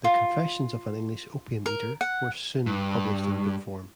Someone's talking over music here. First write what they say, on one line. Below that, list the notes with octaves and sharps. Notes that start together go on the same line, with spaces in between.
The "Confessions of an English Opium-Eater" were soon published in book form.
F4
A#4
F#5
G2